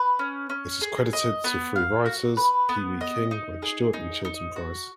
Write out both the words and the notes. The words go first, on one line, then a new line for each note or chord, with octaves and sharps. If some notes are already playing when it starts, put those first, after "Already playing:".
It is credited to three writers: Pee Wee King, Redd Stewart, and Chilton Price.
Already playing: B4
C#4
C#4
G#4
D#5
B3
F5
F#4
B4
B3
D#5
D#4
G#4
D#4
D#4
F#4